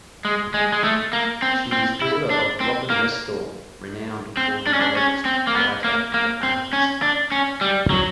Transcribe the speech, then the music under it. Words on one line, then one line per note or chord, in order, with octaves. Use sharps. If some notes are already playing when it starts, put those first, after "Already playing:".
She is daughter of Robin Restall, renowned ornithologist, writer and artist.
G#3
G#3
G#3
A3
A#3
C4
C4
E4
D4
C4
A#3
C4
D4
C#4
D4
C#4
C4
A#3
B3
A#3
A#3
C4
C#4
D4
C#4
G3
F#3